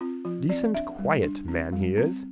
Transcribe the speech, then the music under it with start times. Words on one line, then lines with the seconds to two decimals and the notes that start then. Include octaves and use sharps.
Decent quiet man he is.
0.01 C4 F4
0.25 F3 F4
0.49 C4 D5
0.74 D4 E5
0.99 G3
1.23 D4
1.48 C4
1.73 G3
1.97 C4